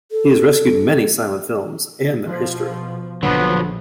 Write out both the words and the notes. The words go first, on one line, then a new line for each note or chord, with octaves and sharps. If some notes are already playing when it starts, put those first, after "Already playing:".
He has rescued many silent films and their history.
A4
B2 F3
A#1 D3 F3 F#3 B3